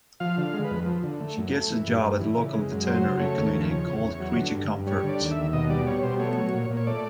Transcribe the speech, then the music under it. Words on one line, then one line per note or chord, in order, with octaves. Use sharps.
She gets a job at a local veterinary clinic called Creature Comforts.
F3 F5
D3
F5
G#3
B4
F2
F3
D3
A3
F#2
A3
E3
G2
G2
E3
C#3
G#3
F#2
F#3 C5
C#3
A3 C#5
D#2
F3
C#3
E2
E2
F#3
D3
G2
G2
G3 C#5
C#5
D3
D5
D#2
E5
D#2
B2 D#5
G3 D5
G3 C#5
B2 C5
A3 C#5
F#3
A#2
A#2
C#5
A3 D5